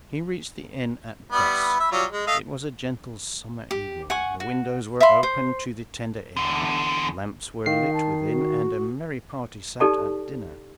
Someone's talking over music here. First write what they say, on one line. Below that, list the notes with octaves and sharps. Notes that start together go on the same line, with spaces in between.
He reached the inn at dusk: it was a gentle summer evening; the windows were open to the tender air; lamps were lit within, and a merry party sat at dinner.
G3 B3 E4
E4 E5
F#3 G3 F4
G#3
A3 D#5 F5
G4
F#5 G#5 C#6
F#4
E5 F5 B5 C6
C5
E2 D3
D#3 F5 C7
A5
F#4
D#4 G4 A4 D5 A5